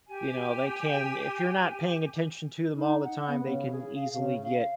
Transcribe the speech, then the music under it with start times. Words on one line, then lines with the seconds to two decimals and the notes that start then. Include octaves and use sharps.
you know, they can if you're not paying attention to them all the time, they can easily get,
0.07 G4 G#5
2.76 D#4
3.04 F#5
3.28 B3
3.44 C#3
3.71 G#4
3.95 F5
4.16 C#3
4.43 F5